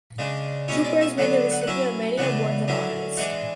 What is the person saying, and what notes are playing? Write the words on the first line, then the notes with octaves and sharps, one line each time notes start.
Kupper has been the recipient of the many awards and honors.
C#3 G#3 D4
B2 G#3 C#4 E4 C#5
D5
E5
D3 F#3 B3 D4 F#5
F#5
F#5
F#3 C#4 E4 E5
C#3 E3 B3 D4 F#5
D3 F#3 C#4 E4
E3 G#3 D4 F#5